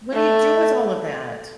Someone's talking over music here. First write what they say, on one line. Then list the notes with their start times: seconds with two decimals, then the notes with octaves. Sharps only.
What do you do with all of that?
0.13 A3